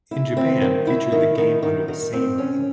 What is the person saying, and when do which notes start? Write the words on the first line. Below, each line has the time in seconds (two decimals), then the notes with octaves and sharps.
In Japan, featured the game under the same name.
0.11 E4
0.37 C4
0.62 D#3
0.87 E4
1.12 D#3
1.38 D#3
1.63 D#3
1.88 D#3
2.13 C4
2.38 C#4